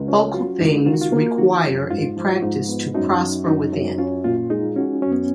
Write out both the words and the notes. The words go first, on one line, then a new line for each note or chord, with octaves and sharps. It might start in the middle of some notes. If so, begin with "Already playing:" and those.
Focal things require a practice to prosper within.
Already playing: C#2 F4
C#4
F#3 F4
C#2 D#4
D#3 F4
F#4
F4
A#3
D#3 F#4
F#2
G#2 F4
F3
G#2 D#4
B3
F#2 D#4
F#3
F#2 D#4
F#2
C#4 F4
A#2 F4
G#3 D#4
C#4 F#4
F#2 C#4
B3